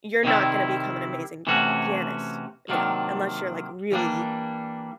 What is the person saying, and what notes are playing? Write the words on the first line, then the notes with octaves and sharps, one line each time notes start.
you're not gonna become an amazing pianist, you know, unless you're, like, really
C3 D#3 G3 C4 E4
C3 E3 A3 C#4 F#4
C3 D#3 F#3 A#3 D4
E3 G3 A#3 D4